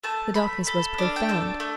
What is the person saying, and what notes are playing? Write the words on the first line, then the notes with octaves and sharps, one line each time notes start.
The darkness was profound.
A3 A5
A3 B5
A4 B5
D4 F5
G5
A3 A5
A3